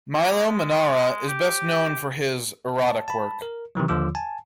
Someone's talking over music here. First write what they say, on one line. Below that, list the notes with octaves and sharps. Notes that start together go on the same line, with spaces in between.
Milo Manara is best known for his erotic work.
A#3
G#3
G4
A5
A5 B5
A#4
C3 D#3 E3 F#3
D#2 D3 F3 F4 D6 E6
G#5 A5